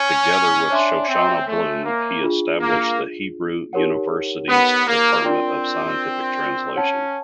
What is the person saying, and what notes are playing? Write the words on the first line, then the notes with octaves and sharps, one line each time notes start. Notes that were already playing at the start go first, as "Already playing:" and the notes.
Together with Shoshana Bloom, he established the Hebrew University's Department of Scientific Translation.
Already playing: C#4
D4 C#5 E5 G#5 C6
C4
A3
A#3
D4 F4 G#4
A#3
D#4 G4 A#4 C#5 F#5
B3
A#3
C4 D4 F4 A#4 D5 G5
C#4 C#5 F#5 A5